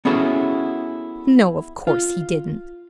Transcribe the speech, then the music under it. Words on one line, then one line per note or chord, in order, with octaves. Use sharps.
"No, of course he didn't."
B3 C#4 E4 F#4 G#4 A4
F4